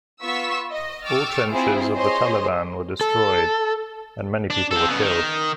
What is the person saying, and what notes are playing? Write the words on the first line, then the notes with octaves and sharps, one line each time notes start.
All trenches of the Taliban were destroyed, and many people were killed.
B3 F4 C#6 E6 B6
D#5
G5 C#6 D6 E6 F6 A6
C4 E4 F4 G#4 C5
G#4 C5 C#5 D#5 C6
A4
D4
C4 A4
C#3 B3
D#3